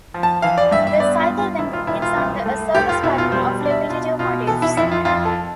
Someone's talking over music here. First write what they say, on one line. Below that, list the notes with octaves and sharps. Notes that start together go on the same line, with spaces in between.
The cycle then repeats under a surface pattern of repetitive motifs.
F3
A5
E3 F5
D5
G2 E5
E5
B3 D5
F4
G2
F4
E1 E4
F4
E1 E4
F4
C2
A3
F1 G4
F4
B2 E4
F4
G3 C5
D4 D5
E5
B2 F4
B2 F4
E3 A4
E4
F2 E4
F4
F2 F4
A4